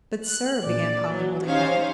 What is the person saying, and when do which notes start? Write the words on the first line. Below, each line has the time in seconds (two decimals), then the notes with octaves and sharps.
"But, sir--" began Polly, holding back.
0.25 F#6
0.64 A#1 D5
1.13 F#3
1.45 C#4 D#4 G4 C5 C#5 F5